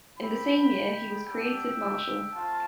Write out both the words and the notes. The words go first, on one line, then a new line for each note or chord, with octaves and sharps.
In the same year he was created marshal.
C4 E4 G4 G5 B5
B3 D4 G4 E5 G5
A3 C4 F4 F5 A5